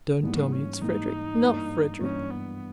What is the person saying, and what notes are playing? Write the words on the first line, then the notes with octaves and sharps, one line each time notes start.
Don't tell me it is Frederick--not Frederick.
G#2 E3 G3 A#3 B3
C#4
G#2 E3 G3 A#3 D#4
G2 E3 A#3
G2 E3 A#3 C#4
B3